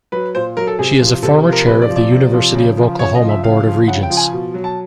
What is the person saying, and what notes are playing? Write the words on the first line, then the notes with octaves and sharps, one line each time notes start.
She is a former chair of the University of Oklahoma Board of Regents.
F#3 B4
A#2 C5
F#3 A#4
A4
C3 G#4
F3
C3 A4
F3
A#4
C3 B4
D5
F3
D5
C3
F3
C#3
F3
C#3 C#5
D#5
F3
E5
C#3 F5
F3
C#3 F#5
G5
F3
G#5
B2
F#3
A5